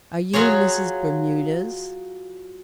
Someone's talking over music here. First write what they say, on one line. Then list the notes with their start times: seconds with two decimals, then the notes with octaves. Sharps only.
"Are you Mrs. Bermudez?"
0.33 F#3 F4 G#4 C#5